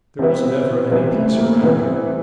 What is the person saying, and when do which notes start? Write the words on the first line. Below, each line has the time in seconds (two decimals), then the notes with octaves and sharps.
There was never any peace around her.
0.19 C3 E3 G3 B3 C4 E4
0.90 C3 E3 G3 B3 E4
1.14 A3
1.38 A#3
1.62 C3 E3 G3 B3 C4 E4